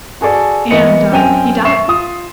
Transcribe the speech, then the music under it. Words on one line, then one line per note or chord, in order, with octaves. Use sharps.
and, um, he died.
F#4 G#4 A4 D5
E3 A#3 B3 D#5 C#7
F#2 C4 G5 G#5 D#7 F7
E5 C#6 C7 E7
F4 D#6